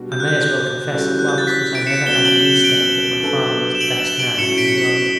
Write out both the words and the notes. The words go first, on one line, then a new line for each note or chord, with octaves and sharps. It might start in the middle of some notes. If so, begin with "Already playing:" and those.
I may as well confess at once that I never had the least doubt that my father was the best man in the world.
Already playing: B2 G3 D4 F#4
G6
F#6
G6
E3 G3 C#4 F#4 A4
F#6
G6
A6
B6
D7
C#7 E7
B2 F#3 C#4 F#4 E7 G7
G7
D7 F#7
E7 G7
D7 F#7
G2 F#3 B3 D4 A4
E7
D7 F#7
E7 G7
D7 F#7
A2 F#3 C#4 F#4 C#7 E7
B6 D7
C#7
B6